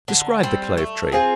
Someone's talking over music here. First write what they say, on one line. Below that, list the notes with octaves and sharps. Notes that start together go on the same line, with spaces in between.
Describe the Clove Tree.
D3
G3 C4
A3
C4 F4 G#4